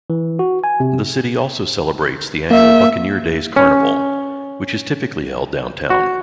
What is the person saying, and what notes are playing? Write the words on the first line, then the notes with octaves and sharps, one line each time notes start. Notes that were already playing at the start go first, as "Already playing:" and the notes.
The city also celebrates the annual Buccaneer Days Carnival, which is typically held downtown.
E3
F#4
G#5
C3
A#3 E5
C#4
F#4